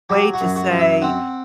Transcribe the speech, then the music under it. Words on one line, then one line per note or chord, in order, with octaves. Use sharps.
way to say
F#3 G4
F#4
F#2
F#4
F#2
E5
C4 F#5